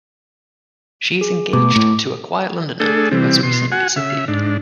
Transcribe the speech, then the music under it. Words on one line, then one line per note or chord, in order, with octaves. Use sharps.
She is engaged to a quiet Londoner who has recently disappeared.
G#4
B2 A3 D6
A2
A3 D4 G#4 A4
C3 E3 G3 C4
B2 C6
F#4 F#5 G#5
C#3 E5
G#2 D4